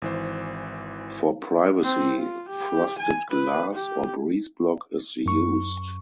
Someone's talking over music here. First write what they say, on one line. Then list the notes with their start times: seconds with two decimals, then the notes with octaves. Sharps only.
For privacy, frosted glass or breeze block is used.
0.02 G#1 E3 C5
1.83 C4
2.17 F4
2.49 G4
2.99 G#5
3.31 B4
3.75 G4
5.26 F#2 C#6